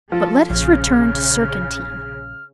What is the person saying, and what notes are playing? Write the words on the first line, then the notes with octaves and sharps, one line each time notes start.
But let us return to Surcantine.
F3 A4
A#1 C#3 F6